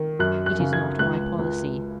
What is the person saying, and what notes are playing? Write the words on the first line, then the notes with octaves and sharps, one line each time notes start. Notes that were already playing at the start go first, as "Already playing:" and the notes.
It is not my policy.
Already playing: D#3
F#2 F#6
F#6
C#3
G#6
C#2 F#6
C#2